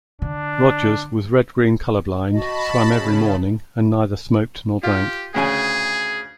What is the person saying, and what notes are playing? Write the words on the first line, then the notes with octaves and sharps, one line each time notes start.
Rogers was red-green color blind, swam every morning, and neither smoked nor drank.
D3 D4
F#4 D#5 A5 B5
C#3
F4 G4
D2 C#3 G#4 G#5